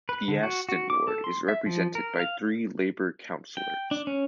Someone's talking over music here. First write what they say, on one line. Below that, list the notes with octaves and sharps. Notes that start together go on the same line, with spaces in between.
The Aston ward is represented by three Labour councillors.
B4
D3
F#4
F#4
D6
A4
C6
E5
F3
A#4
F5
G5
D4
C#4